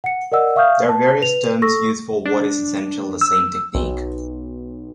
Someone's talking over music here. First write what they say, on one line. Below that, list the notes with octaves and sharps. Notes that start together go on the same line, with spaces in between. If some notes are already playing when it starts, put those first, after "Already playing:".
There are various terms used for what is essentially the same technique.
F#5 C#7
A#4 D5 D#5 F#5 E6
E5 F5 C#6 D#6 F6 G6
A5
B4 F7
A4 C#6 E6 A#6
D4
E6
B1